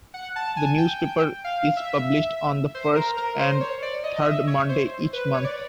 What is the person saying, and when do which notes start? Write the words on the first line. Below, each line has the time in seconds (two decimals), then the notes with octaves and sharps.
The newspaper is published on the first and third Monday each month.
0.14 F#5
0.36 A5
0.57 G#5
0.78 G5
1.44 F5
1.77 E5
2.75 C5
2.96 A#4
3.17 A#4
3.39 C5
3.61 C#5
3.82 D5
4.04 D#5
4.16 D#5
4.26 E5
4.47 C#5
4.69 C5
5.13 B4
5.34 C#5
5.45 D5